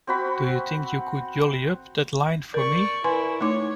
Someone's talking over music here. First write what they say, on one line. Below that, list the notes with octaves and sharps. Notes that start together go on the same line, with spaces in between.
Do you think you could jolly up that line for me?
C4 F#4 B5
A#4 D5 C#6
E4 A#4 B4 G#5 C6
A3 D#4 C#5 D6